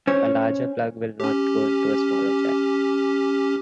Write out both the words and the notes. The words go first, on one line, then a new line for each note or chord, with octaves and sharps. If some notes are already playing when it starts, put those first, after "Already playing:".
A larger plug will not go into a smaller jack.
C#4 C5 C#5
C#4 G4